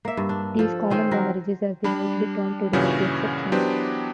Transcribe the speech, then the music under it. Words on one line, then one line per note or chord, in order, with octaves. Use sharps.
These "common-law marriages" as they might be termed today were the exception.
A#3 E5
G2
D4
F3 A4
D#3 C4 C#4 C5
F#3 A#4
G3 D4 B5
G2 A#2 C#3 E3 C#4 F#4
E3 F#3 B3 D4 G4 C5